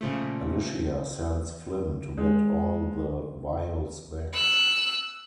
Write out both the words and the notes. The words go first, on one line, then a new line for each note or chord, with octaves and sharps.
Alicia sends Flynn to get all the vials back.
A#2 C#3 F3 A3
G#3
E6 F#6